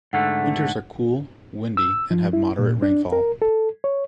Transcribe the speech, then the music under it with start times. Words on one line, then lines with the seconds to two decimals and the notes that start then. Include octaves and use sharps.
Winters are cool, windy and have moderate rainfall.
0.13 G#2 D3 A3 F#5
1.77 E6
2.11 F3
2.33 E4
2.59 A#2
2.82 D4
3.12 A#4
3.42 A4
3.84 C#5